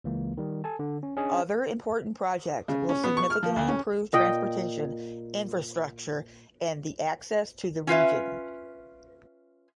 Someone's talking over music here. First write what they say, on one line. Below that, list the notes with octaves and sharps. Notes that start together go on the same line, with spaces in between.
Other important project will significantly improve transportation infrastructure and the access to the region.
C#2 E3 A#3
D#3 G3
A4 G#5 A5
D3
C#4
C#4 D4 G#4 D#5 G#5
C#3
C#4
B3
C#6
F6
F3
D2
C#4
A#2 D#5 G5
C#4 F4 B4 E5